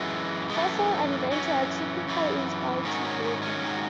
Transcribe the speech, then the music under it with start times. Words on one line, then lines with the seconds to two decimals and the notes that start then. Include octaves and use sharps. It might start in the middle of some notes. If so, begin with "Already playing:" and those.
Fossil and Venti are typically installed together.
Already playing: F#2 E3 G#3
0.50 G#3
0.54 F#2 E3 A3
1.31 F#2 E3 C#4
2.08 F#2 E3
2.84 G#2 D#3 F#3 C#4
3.04 C#4
3.23 C#4
3.42 C#4
3.61 G#2 D#3 F#3